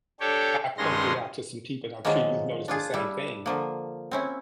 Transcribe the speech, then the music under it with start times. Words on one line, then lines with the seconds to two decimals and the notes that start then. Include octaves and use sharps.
I pointed out to some people and I'm sure you've noticed the same thing.
0.20 D4 G4 A4 C#5 G5
0.77 G2 D#3 G#3 C#4 C6 A#6
2.05 D#3 F3 F#3 G#3 A#3
2.68 D4 F4 G#4
2.94 G3 E4
3.46 D3 F3 A#3
4.11 C4 C#4 E4